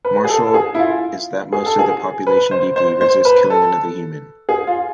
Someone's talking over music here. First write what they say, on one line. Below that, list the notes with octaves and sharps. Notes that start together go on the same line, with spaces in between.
Marshall, is that most of the population deeply resists killing another human.
B4
G#4
A4
A4
G#4
E4
F4
G#4
A4
G#4
B4
C5
C5
C5
B4
A4
G#4
F4